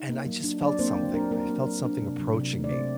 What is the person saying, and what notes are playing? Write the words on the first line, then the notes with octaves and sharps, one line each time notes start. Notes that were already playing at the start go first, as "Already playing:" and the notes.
and I just felt something I felt something approaching me.
Already playing: D#4
A#3
F#3
D4
F#3 D4 D5
A#3 C4 C5
F#3
A#3 D4 A#4
F#3 A#3 A#4
A#3
F#3
D4
C3
F#3
C3
A3
D5
C3 C4 C5